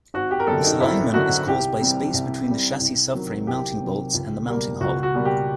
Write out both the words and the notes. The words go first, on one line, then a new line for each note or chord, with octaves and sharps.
Misalignment is caused by space between the chassis-subframe mounting bolts and the mounting hole.
G#1 F#4
G4
A#4
F#2 D3 A4
D#4
G#1 E4
F#2 D3 F#4
C2 G4
C3 E3 G3
C2
C3 E3 G3
C2
C3 D#3 F#3
C2 G4
C3 D#3 F#3
C#2
B2 G3 A#3
C#2 F#4
F#4
B2 G3 A#3
G4